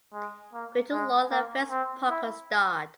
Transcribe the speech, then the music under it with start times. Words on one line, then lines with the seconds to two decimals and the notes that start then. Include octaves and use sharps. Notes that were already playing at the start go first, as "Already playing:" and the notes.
Peter Lorre and Fess Parker starred.
0.13 G#3
0.53 A#3
0.92 G#3
1.31 A#3
1.70 C4
2.09 E4